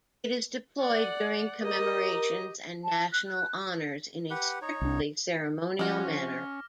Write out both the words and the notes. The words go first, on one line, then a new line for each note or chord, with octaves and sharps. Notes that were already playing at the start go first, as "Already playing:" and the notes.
It is deployed during commemorations and national honors in a strictly ceremonial manner.
D5 F#5
G4 A#4 D#5
A5
F#6
G4 B4 F#5
D#4 C#5
C2 D4
F3 G#3 C#4 F#4 D6 F6 A#6